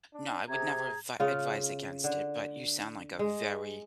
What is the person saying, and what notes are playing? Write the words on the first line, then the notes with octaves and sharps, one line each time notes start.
No, I would never advi advise against it, but you sound, like, a very
D4
C3 G#4 A#5 G#6
C#3 F4
D3
G#3